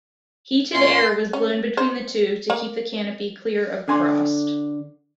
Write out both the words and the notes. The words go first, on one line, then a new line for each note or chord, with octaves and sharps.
Heated air was blown between the two to keep the canopy clear of frost.
A#2 C#4 F4 C6
C#4
C5
A#3
D3 G#5 C6